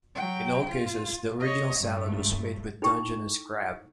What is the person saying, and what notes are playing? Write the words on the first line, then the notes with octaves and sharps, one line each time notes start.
In all cases, the original salad was made with Dungeness crab.
F#3 G5
F4
C#5 D#5
G2 A3
D#4 E4 A4 G5 C#6